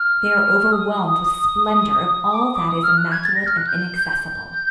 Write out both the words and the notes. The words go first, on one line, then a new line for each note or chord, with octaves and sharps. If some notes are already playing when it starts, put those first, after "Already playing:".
They are overwhelmed with splendor of all that is immaculate and inaccessible.
Already playing: F6
D#6
D6
D#6
D6
D#6
F6
F#6
G#6
A6
A#6
F6
F#6
G6
G6